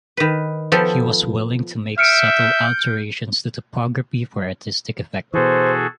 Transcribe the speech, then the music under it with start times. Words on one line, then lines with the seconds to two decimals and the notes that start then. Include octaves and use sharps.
He was willing to make subtle alternations to topography for artistic effect.
0.17 D#3 B4
0.72 F3 B3 A4 G5
1.98 E5 F6 G6 C#7 D7
5.34 B2 E3 F#4 G#4 A4 C5